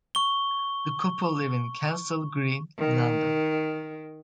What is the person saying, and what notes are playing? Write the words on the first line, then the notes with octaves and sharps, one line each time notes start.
The couple live in Kensal Green, London.
C#6 G7
D#3